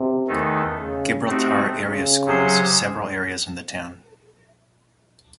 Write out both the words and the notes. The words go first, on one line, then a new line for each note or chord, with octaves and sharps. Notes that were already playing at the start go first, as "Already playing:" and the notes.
Gibraltar Area Schools several areas in the town.
Already playing: C3
E2 D#3 A3 D#4 A4
C#3
C3 A3 C4 D#4 F#4
C#3
C3 F#3 C#4 G#4 C5